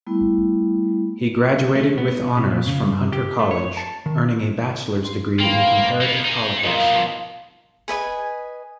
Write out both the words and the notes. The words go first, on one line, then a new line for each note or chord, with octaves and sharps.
He graduated with honors from Hunter College, earning a bachelor's degree in comparative politics.
G3 A3 B3 E4
A3
B3
C3
A#2
C#3
G2
G4
A3
C#5
A5
D#3
C6
A#3 C4 B4 F5
A#3 B3
D#4 G#5
C2 B2 D#4 F4 A#4
F3 B3 C5
G#4 B4 D#5 G#5